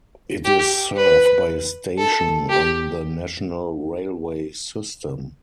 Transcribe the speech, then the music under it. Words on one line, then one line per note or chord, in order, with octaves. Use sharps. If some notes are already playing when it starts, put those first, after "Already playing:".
It is served by a station on the national railway system.
G4
B4
A4
G4